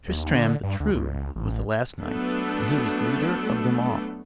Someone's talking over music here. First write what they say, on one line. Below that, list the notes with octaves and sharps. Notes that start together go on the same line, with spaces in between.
Tristram the True was the last knight, and he was leader of them all.
D#2
D3
G2
D2
C#2
A1
F#3 A3 B3 D4 A4